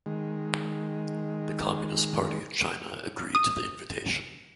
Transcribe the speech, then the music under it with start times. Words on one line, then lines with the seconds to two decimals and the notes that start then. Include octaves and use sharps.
The Communist Party of China agreed to the invitation.
0.06 D#3 G#3
3.35 D#6